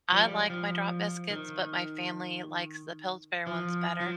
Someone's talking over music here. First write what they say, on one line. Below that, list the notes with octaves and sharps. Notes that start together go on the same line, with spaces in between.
I like my drop biscuits, but my family likes the Pillsbury ones better.
F3
G3
F3
D#3
F3
F3